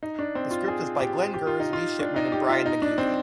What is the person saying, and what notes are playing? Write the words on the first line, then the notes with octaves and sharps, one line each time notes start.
The script is by Glen Gers, Lee Shipman, and Brian McGeevy.
D#4
D4
C4
F4
G#4
G4
G4
F4
D#4
F4
D4
D#4
G4
F4
D#4
D4
C4